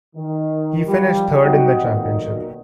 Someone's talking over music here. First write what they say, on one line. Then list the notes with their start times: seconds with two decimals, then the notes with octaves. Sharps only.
He finished third in the championship.
0.16 D#3
0.86 F3 G3
1.43 B2 F#3 G3 C4 D#4 F#4
1.82 B1 A#2 D#3